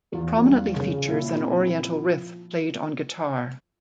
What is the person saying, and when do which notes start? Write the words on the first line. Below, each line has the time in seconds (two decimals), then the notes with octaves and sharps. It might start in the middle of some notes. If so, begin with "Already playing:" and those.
It prominently features an Oriental riff played on guitar.
0.13 E2 F4
0.45 G3
0.76 C#3
1.08 A#2 E4
1.39 C4
1.70 F3